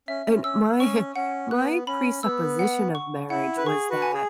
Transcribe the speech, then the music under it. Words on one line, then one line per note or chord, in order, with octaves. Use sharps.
And my, huh, my presupposition of marriage was that,
C#4 E5
C#4
C#4 E6
C#4 C#6
C#4 F#5
B3 F#6
C#4 B5
B3 E6
F#5
C#6
E4 F#5
B4
G#4 C#6
F#4 B4
G#5
G#4